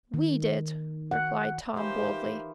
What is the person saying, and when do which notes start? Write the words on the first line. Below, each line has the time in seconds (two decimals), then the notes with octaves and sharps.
"We did," replied Tom boldly.
0.14 D#3
1.11 F#5
1.77 D#3 E3 F4 G4 C5